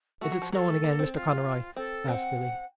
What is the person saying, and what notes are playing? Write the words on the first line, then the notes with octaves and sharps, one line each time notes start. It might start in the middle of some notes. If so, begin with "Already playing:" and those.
"Is it snowing again, Mr. Conroy?" asked Lily.
A3 F#4
F#3
F3
F#3 A#4
A4
A3
A#3
C4
F4
C4 A4
C4 F#5 A5